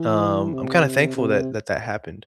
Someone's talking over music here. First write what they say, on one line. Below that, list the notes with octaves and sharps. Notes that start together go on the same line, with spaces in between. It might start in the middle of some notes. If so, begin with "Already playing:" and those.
um, I'm kinda thankful that that, that happened
Already playing: E3
C3
C3